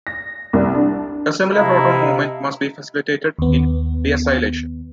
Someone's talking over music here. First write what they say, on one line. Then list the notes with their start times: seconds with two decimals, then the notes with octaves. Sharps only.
A similar proton movement must be facilitated in deacylation.
0.07 A#6
0.53 C2
0.74 D4
1.54 C3 E4 D#5 F5 A5 A#5
3.39 D#2 B3